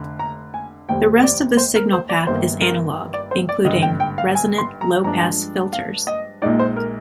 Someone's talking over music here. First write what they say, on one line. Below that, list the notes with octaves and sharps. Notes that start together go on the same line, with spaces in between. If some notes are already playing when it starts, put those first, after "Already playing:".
The rest of the signal path is analog, including resonant low-pass filters.
Already playing: F1 D3
A#5
G#5
F1 D#2 D#3 G3 C4 G5
D5
C5
A#4
C5
D5
G1 G2 D#3 A#3 C5
A#4
D5
C5
D5
G#1 G2 D3 D#5
G5
G5
F5
G#5
C6
A#5
G2 F3 G#3 D4 A#5
G#5
F5
D#5
A#1 A#2 G#3 D#4 D5
C5
A#4